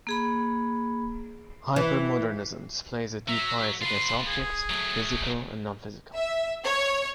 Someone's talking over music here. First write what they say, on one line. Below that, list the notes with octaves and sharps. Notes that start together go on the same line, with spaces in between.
Hypermodernism displays a deep bias against objects physical and non-physical.
A#3 G#4 B5
E3
F#3 E5
F4 B4 C6
G#4
F#3 A3
E5
C#5